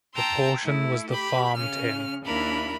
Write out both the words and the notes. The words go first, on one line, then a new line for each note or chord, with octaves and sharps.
The portion was the "farm tin".
G5 A5 A#5 C6 E6
A3 E4
G4 B5
C#3 C#4 F6
D#2 A#3 D4 E4 A#4 B5